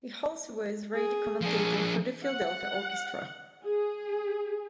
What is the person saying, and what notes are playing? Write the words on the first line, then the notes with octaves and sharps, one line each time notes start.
He was also a radio commentator for the Philadelphia Orchestra.
G#4
F3 D4 G#4
F#5
G#4